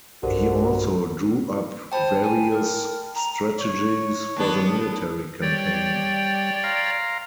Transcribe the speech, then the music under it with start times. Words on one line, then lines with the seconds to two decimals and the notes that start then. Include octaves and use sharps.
He also drew up various strategies for the military campaign.
0.23 B1 E2 G2 D3 F#4 G4 A#4 C5
1.92 C5 G5 A5 B5
2.22 G#5
2.51 A#4
3.15 A#5
3.60 C#5
4.37 D#2 B3 D4
5.42 G3 C#5 D5 G5
6.64 F5 A#5 C6